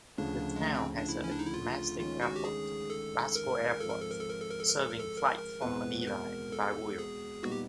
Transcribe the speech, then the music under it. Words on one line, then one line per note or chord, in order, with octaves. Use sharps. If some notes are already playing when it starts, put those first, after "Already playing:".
The town has a domestic airport, Basco Airport, serving flights from Manila and Baguio.
D2 C#3 F3 D4
G#3
A3
C4
D4
E4
C#4
D4
D#4
E4
F4
D#3 G#3 C#4 F4
F#4
G4
G#4
A4
A#4
G#2 F3 G#3 C4 A4
A#4
A4
A#4
A4
A#4
A4
A#4
A4
A#4
A4
A#4
A4
A#4
A#4
E2 B2 G#3 C4 B4
B4
A#4
A4
G#4
A#2 G3 B3 D#4 F#4
G4